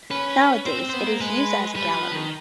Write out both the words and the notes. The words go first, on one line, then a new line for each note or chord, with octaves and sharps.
Nowadays it is used as a gallery.
C#4 B4
C4 C5
C4
B3 C5
A#3
G#3 B4
G3 B4
F3
D#3